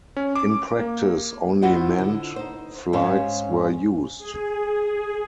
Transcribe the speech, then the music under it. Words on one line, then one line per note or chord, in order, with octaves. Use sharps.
In practise only manned flights were used.
C#4
D6
A#3
E4 F4 C5 D#5 F#5
D3
D#4 C5
G#2 G#3 C#4 C#5 F5
G#4